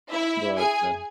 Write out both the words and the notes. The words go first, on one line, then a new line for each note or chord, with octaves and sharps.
but, uh
E4 E5
G#4 G#5